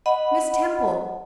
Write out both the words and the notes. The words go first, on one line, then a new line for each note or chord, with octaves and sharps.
Miss Temple!
D#5 F#5 B5